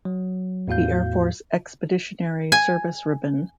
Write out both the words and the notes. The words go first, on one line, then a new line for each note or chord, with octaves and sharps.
The Air Force Expeditionary Service Ribbon.
F#3
E2 A2 F#4 F5 G6
G#5